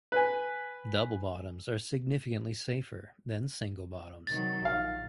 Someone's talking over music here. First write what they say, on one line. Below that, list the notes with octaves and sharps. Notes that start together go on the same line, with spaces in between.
Double bottoms are significantly safer than single bottoms.
B4 G#5
C3 D#3 F#3 A6
A#1 F5